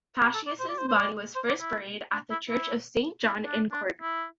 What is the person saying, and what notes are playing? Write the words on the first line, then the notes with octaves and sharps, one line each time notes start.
Paschasius' body was first buried at the Church of Saint John in Corbie.
G4
A4
D5
C5
D5
C5
C5
D5
C5
D5
E4
D4
E4
E4
E4
D4
D4
E4